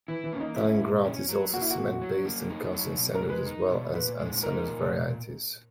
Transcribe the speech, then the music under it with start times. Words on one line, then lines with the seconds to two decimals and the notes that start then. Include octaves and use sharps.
Tiling grout is also cement-based, and comes in sanded as well as unsanded varieties.
0.08 E3 E4
0.24 E3
0.33 A#3 C#4
0.40 D#4
0.56 C#4 E4
0.81 A#2
1.05 C#4
1.29 F#3
1.53 A#3 F#4
1.61 E4
1.70 F#4
1.77 A#2
2.01 F#3
2.26 A#3
2.50 D#4
2.74 F#3
2.98 B2
3.15 A#4
3.22 G#3
3.30 B4
3.46 D#4
3.71 B2
3.95 A#2 B4
4.19 G#3
4.43 D#4 A#4
4.67 A#2